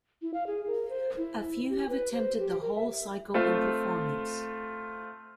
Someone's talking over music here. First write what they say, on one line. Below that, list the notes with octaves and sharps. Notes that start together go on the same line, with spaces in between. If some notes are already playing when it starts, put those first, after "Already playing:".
A few have attempted the whole cycle in performance.
E4
F5
G#4
A#4
C5
E4
G4
B4
C5
G4
A#4
E5
A3 C4 F4